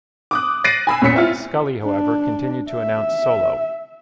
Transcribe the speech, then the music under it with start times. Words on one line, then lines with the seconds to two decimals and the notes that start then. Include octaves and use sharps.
Scully, however, continued to announce solo.
0.31 D6 D#6 F#6
0.64 F#6 A6 A#6 C7 D7 D#7
0.87 G#5 B5 E6
1.02 E2 A#2 C#4 B6 C#7
1.14 C4 E4 F4
1.84 D4
2.70 E5